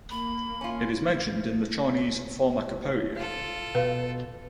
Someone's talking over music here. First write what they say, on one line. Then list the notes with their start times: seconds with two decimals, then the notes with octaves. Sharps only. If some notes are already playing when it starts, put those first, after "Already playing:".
It is mentioned in the "Chinese Pharmacopoeia".
0.10 A#3 B5
0.61 C#4 F4
3.15 F4 A4
3.75 B2 B4 F5